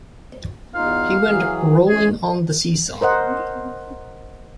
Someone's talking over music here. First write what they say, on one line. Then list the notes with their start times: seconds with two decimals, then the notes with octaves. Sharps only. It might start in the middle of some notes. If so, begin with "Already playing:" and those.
He went rolling on the seesaw.
0.75 E2 D#4 F4 F5
1.26 E3 F#3 G#4
1.88 E3 C#4 G#4
3.01 A#4 C5 D#5 F#5